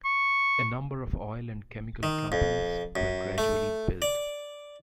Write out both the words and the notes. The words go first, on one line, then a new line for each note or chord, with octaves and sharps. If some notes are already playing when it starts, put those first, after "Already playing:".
A number of oil and chemical companies were gradually built.
C#6
D#3
F2
F#2
A3
D5